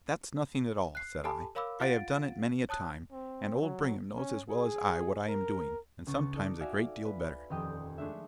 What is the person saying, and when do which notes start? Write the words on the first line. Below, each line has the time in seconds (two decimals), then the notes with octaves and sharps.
"That's nothing at all," said I; "I have done it many a time, and old Brigham knows as well as I what I am doing, and sometimes a great deal better."
0.95 F#6 C7
1.24 G4 A4 G#5 A5 B5
1.55 A#4 C#5 F5 B5 D6 E6
1.80 F4 F5 F#5 A6 D7
2.69 C#5 A5 D#6 F#6
3.12 C4
3.61 F#3
4.16 C#4
4.49 G#4
5.28 A#4
6.07 C#2 C#4 C#6 A6
6.34 D#4 A4 D5
6.60 F#4 D5 E5 F5 G#5
7.05 B4
7.50 D#1 F2 G4 D#5 G5
7.98 G#3 A3 D4 E5